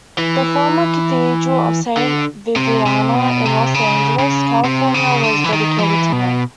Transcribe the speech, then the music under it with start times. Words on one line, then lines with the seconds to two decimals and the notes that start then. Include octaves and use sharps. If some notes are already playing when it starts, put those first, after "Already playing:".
The former Cathedral of Saint Vibiana in Los Angeles, California was dedicated to her.
0.18 E3
1.97 D3
2.56 C3
2.86 C3
3.15 B2
3.45 C3
3.74 C#3
4.19 C#3
4.64 C3
4.94 C#3
5.24 D3
5.44 E3
5.53 D#3
5.78 F3
5.83 E3
6.12 B2